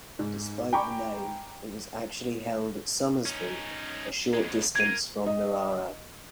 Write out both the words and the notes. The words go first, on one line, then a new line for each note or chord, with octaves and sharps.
Despite the name, it was actually held at Somersby, a short distance from Narara.
G#2
G5 G#5 A#5 B5 C#6 D6
C#4 D#4
F2 G#3
A#3 G#6 D#7
D#5